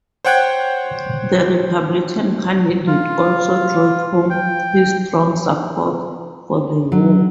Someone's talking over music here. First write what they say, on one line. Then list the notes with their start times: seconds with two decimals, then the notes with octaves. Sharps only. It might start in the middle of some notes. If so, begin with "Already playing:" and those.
The Republican candidate also drove home his strong support for the war.
0.25 C5 C#5 F#5 G5 F#6 G#6
2.87 F4
4.30 G5
6.92 F#3